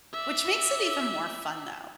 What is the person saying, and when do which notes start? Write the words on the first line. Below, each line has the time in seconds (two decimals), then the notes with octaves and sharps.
Which makes it even more fun though.
0.13 D5 E5